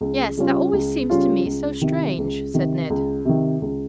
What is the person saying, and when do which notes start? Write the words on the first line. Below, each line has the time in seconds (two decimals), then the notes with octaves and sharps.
"Yes; that always seems to me so strange," said Ned.
0.01 C#2
0.37 C#3 G3 C#4 F4
0.73 C#2
1.10 C#3 G3 C#4 F4
1.46 C#2
1.81 C3 D#3
2.18 C#2
2.54 C3 D#3
2.90 C#2
3.25 C3 D#3
3.61 C#2